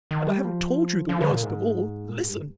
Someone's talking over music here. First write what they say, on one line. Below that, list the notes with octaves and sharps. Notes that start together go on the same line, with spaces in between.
And I haven't told you the worst of all. Listen!
D#3
G3
F3
F3
D3
A#2
G#2
A#2
G#2
G2